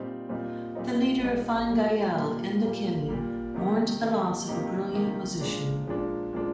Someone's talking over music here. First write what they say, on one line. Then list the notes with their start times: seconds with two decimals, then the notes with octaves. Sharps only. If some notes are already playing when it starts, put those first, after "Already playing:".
The leader of Fine Gael, Enda Kenny, mourned the loss of a "brilliant musician".
Already playing: A#2 G3 C4 D#4
0.29 A#2 G3 C4 D#4
0.75 A#2 G3 C4 D#4
1.22 A#2 G3 C4 D#4
1.69 A#2 G3 A#3
2.15 A#2 G3 A#3
2.61 A#2 G3 A#3
3.08 A#2 G3 A#3
3.55 C3 D#3 A#3 D#4 G4
4.02 C3 D#3 A#3 D#4 G4
4.48 C3 D#3 A#3 D#4 G4
4.94 C3 D#3 A#3 D#4 G4
5.41 A#2 F3 G#3 D4
5.87 A#2 F3 G#3 D4
6.33 A#2 F3 G#3 D4